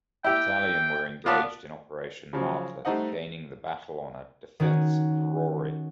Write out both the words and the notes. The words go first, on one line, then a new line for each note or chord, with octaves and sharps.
The Battalion were engaged in Operation Martlet gaining the Battle Honour "Defence of Rauray".
E4 G4 G5
B3 F4 D5 A5
C#3 F3 F#3
G3 A3 D#4 C5 D#5 F#5
D#3 C#4 F#4